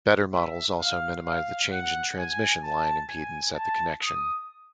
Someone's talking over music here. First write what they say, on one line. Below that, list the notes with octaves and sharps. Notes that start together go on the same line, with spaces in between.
Better models also minimize the change in transmission line impedance at the connection.
E5
F5
F5
F#5
G#5
A5
G#5
A5
D#6